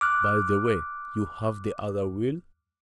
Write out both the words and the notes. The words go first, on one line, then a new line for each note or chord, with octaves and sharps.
"By the way, you have the other will?"
D6 F6 F#6